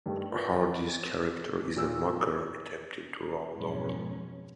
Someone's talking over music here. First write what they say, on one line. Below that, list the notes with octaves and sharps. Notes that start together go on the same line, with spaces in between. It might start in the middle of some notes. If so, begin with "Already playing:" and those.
Hardy's character is a mugger attempting to rob Laurel.
G2 D#3 G3 A3
F4 A#4 B4 D5
A#2 A#3 E6
F2 G#2 B2 F#3 G#3 C#4